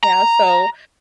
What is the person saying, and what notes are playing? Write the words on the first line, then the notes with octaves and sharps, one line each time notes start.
yeah, so
A#5